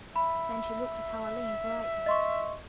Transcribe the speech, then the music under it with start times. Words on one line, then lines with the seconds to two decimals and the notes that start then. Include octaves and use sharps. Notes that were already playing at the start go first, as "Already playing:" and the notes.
Then she looked at Arline brightly.
0.16 E5 B5
2.06 D#5 C6 C#6